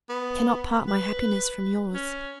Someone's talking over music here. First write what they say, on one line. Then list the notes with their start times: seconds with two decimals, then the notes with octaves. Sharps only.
I cannot part my happiness from yours.
0.09 B3
0.87 B4
1.94 C#4